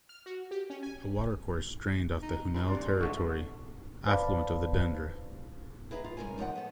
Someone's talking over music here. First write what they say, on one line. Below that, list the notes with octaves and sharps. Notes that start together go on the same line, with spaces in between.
A watercourse drained off the Hunelle territory, affluent of the Dendre.
F6
F#4
G4
C#4
G#5
D#4
C#2
D1 C3 D4 C6
G#2 D3 A3 C#6
B4 C5 D5 F5 A5 B5
E4 G#4 B4 D#5 A#5
F4
G2 G#3 C#4 A#4 C#5 G#5
G#2 F3 C#5 D#5 F#5 G5
B3 A4